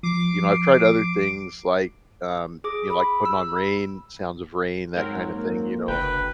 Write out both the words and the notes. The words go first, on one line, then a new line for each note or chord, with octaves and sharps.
you know, I've tried other things like, um, you know, like putting on rain, sounds of rain, that kind of thing, you know.
F3 D6 C7
G#4 D6
B5
E6
G#2 F#3 C4 A#4
A#3
F#1 D2 B4 G5